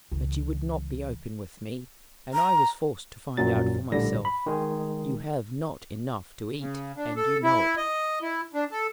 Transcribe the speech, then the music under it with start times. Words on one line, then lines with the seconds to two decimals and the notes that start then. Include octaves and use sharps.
But you would not be open with me, and I was forced to find out for myself: you have not enough to eat, and you know it.
0.12 C#2 E3
2.34 A#5
3.37 A#1 F#2 A#2 F#3 A6
3.91 A#1 A2 D3 G3 A#6
4.25 B5
4.46 D#3 G#3
6.60 C#3
6.96 D4
7.16 A4
7.43 E4
7.77 D#5
8.22 E4
8.54 D4
8.71 A4